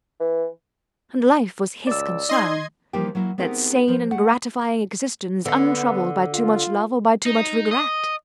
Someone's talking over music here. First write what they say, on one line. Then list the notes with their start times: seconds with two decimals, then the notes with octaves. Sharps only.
And life was his concern: that sane and gratifying existence untroubled by too much love or by too much regret.
0.20 E3
1.87 C#2 D5 E6
2.29 D#4 D#5 C6 G#6
2.93 E3 F3 G3 A#3 D#4 G4
3.15 F#3 A#3 E4
3.38 B3 C4 D#4 G4 G#4 A#4
3.88 F3 A#4 C5
4.11 A3 F#5
5.45 D3 B3
6.33 F4
7.26 D#4
7.71 D#5